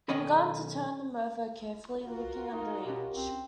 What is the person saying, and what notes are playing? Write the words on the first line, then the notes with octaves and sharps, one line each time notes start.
He began to turn them over carefully, looking under each.
B1 D#3 C#4 D#5 B5
F4 F#4 A#4
D#4
B2 C#4 G4
C4